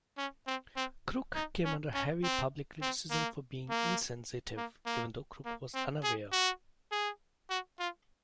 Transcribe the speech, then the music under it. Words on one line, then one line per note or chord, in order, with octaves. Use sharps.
Kruk came under heavy public criticism for being insensitive, even though Kruk was unaware.
C#4
C4
C4
D#4
C#4
C#4
C4
C4
A#3
A#3
A#3
A#3
A#3
C4
G#4
F#4
G#4
F#4
F4